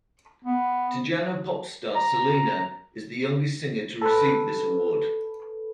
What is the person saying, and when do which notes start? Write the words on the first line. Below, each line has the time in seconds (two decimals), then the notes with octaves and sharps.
Tejano Pop Star Selena is the youngest singer to receive this Award.
0.45 B3
1.95 A#5
4.02 A4 B4